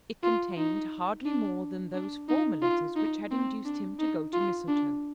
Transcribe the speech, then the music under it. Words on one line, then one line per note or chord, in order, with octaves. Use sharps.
It contained hardly more than those former letters which had induced him to go to Mistletoe.
F4
D#4
D4
D4
D#4
F4
D#4
C4
D4
D#4
F4
D4